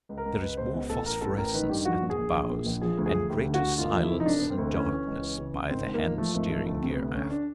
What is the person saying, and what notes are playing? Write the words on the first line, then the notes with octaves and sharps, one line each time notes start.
There is more phosphorescence at the bows, and greater silence and darkness by the hand-steering gear aft.
C#2
A#4
C#2
C#2 B4
C#2 C5
B2
A1 A4
A1 A#4
A1 A4
A1 A#4
D#3 B4
G2 G4
F3 F#4
A#2
G#4
A#1
A#1
A#2
A#1
F3 G#4
D2
G#4
D2
D2 G4
D3
F#4
D2
E1 F4
F3
E4
C3
D#4
E1 D4
E1 B3
C4
D2
E3 C#4
E3
C#2
E3
C#3
C#3
G#1 C4
G#2
A#3
F3
F3 A3
G#1 A3
F3 A3
D2 A3
C3
B3
D2
D2 C#4
D4